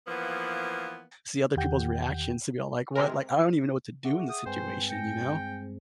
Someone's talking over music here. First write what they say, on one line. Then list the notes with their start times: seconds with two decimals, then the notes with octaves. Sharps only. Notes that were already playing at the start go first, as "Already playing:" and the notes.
see other people's reactions to be all like, "What?" like, I don't even know what to do in this situation, you know?
0.07 E3 F3 A#3 B3
1.57 E2 D#3 G4 F#5 G5 G6
2.95 C3 G#3 A#4
4.04 G#4 E5 F#5 C#6 D6
4.30 G5 D6 D#6
4.46 G2 G#3 C4 B4 C5 G5 G#5
4.90 G5 G#5 A#6 C#7